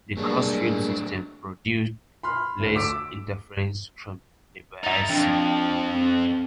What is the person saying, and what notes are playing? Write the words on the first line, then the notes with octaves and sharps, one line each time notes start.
The cross-field system produced less interference from the bias signal.
F#3 G3 A3 A#3 D4 G#4
B5 C6 F6
D2 A3
D6 E6 B6 D7
D#4 E4 A6
F2 D4 G5
C4